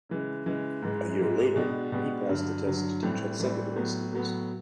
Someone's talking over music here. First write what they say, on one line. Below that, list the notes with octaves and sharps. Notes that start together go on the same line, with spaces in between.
A year later he passed the test to teach at secondary schools.
C#3 E3 G#3
C#3 E3 G#3
G#2 E3 G#3
G#2 E3 G#3
B2 G#3 B3 D4 G4
B2 G#3 B3 D4 G4
G2 D3 F#3
G2 D3 F#3
A2 E3 G3 C4
A2 E3 G3 C4
A2 F#3 B3
A2 F#3 B3